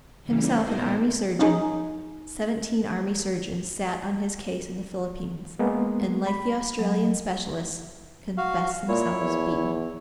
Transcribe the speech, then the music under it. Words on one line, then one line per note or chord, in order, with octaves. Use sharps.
Himself an Army surgeon, seventeen Army surgeons sat on his case in the Philippines, and, like the Australian specialists, confessed themselves beaten.
G#2 C#3 E3 G3 A#3 C#4
A#2 B3 D#4 A#4 C5
C#4 D#4 G#4
G#3 A#3 B3
B5
F#3
F#4 F5
A#2 E4 C#5
E2